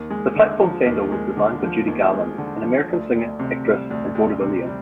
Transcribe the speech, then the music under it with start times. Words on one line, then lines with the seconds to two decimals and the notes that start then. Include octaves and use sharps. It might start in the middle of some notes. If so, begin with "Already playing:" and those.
The platform sandal was designed for Judy Garland, an American singer, actress, and vaudevillian.
Already playing: D#2
0.10 G#3
0.36 D3
0.61 F3
0.86 D#2
1.12 G#3
1.37 D3
1.62 F3
1.87 D#2
2.13 G#3
2.38 D3
2.63 F3
2.89 D2
3.15 D2
3.39 C3
3.65 G3
3.90 D2
4.15 D2
4.40 C3
4.66 G3